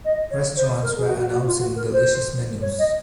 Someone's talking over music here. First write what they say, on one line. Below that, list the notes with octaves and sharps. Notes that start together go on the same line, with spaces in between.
Restaurants were announcing delicious menus.
D#5
C#5
C5
A#4
G#4
F#4
F#4
F#4
F4
F#4
A#4
C5
C#5
D#5